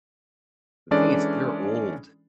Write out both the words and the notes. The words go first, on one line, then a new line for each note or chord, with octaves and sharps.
the thing is they're old,
E3 G#3 C#4 D4 A4 D5